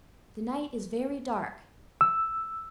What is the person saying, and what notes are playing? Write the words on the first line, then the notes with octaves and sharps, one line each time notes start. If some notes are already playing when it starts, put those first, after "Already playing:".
"The night is very dark."
E6